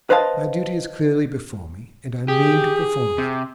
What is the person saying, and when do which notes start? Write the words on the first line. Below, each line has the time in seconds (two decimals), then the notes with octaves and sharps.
My duty is clearly before me and I mean to perform it.
0.10 B4 C5 D#5 F5 A5
2.28 G4 G#4
3.18 C3